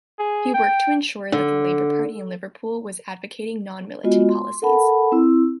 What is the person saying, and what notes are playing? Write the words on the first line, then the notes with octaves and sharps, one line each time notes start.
He worked to ensure that the Labour Party in Liverpool was advocating non-Militant policies.
G#4
G5
D3
G#3 B3 F4 F#4 D#5
C6
A4 A#4 F#5 A5 B5
C4 E4 E6